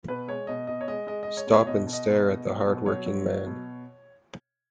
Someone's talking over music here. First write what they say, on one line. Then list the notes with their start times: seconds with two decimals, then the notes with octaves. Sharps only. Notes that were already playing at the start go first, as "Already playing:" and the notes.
Stop and stare at the hard working man.
0.08 B2 B4
0.28 G#3 C#5
0.47 B2 D#5
0.67 B2 D#5
0.81 C#5
0.88 G#3 D#5
1.07 G#3 D#5
1.23 G#3 D#5
1.37 C#5
1.47 B2
1.53 C#5
1.67 B2 D#5
1.87 B2
1.93 D#5
2.07 B2
2.27 B2
2.46 F#3
2.66 B2
2.86 F#3 C#5
3.06 F#3
3.26 F#3
3.46 B2